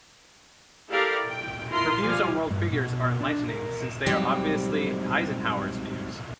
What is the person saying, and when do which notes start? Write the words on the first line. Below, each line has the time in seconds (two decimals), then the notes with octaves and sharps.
Her views on world figures are enlightening, since they are obviously Eisenhower's views.
0.89 E4 G4 A4 A#4 D5 F5
1.28 G5
1.69 E4 F4 A#4 A#5 C6
2.01 F3 G3 F5 G#5
2.51 G2
2.72 B2
3.21 D4
3.49 A#4
4.06 G#2 C3 F#3 G3 C4